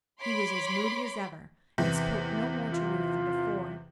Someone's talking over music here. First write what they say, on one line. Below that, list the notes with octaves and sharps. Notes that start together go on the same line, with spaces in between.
He was as moody as ever and spoke no more to Ruth than before.
C#5 B5 C6 D6
E2 C3 E3
F4